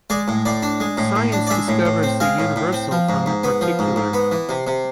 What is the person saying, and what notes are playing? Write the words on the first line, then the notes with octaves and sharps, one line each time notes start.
Science discovers the universal from the particular.
G#3 D5
A2
A2 D5
D4
G#3
A2
A2
D4
D5
G#3 E5
A2
A2
C4
G#3 F5
A2
A2
C4
F3
G#2
G#2
B3
F3
G#2
G#2
B3
E3
C3
C3